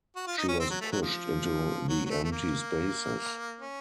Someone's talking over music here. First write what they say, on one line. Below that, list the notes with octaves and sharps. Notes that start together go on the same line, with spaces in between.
She was pushed into the empty spaces.
F#4
F4
D#4
C#4
C4
F#3
A3
F#3
F3
F#3
F#3
A3
A3
A#3
C#4